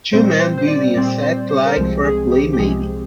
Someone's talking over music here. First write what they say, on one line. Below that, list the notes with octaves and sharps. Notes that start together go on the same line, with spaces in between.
Two men building a set like for a play maybe.
A#2 G3 C4 C5
C5
C5
D5
A#2 G3 C4 D5
C5
C5
A#4
C2 C3 F3 G#3 C4 C5
G#4
G4
G4
C2 C3 F3 G#3 C4 G#4